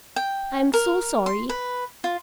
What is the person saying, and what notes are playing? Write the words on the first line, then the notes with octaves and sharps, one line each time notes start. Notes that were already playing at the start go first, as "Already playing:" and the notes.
I'm so sorry.
G5
A#4
C6
B4
F4